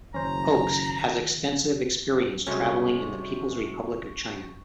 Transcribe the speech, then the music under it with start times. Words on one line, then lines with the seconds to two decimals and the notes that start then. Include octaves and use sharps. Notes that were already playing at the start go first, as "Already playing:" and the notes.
Oakes has extensive experience travelling in the People's Republic of China.
0.14 F#1 D#3 C#4 C5 A#5
2.47 C3 G3 G#3 C#4 F#4 A4 C#6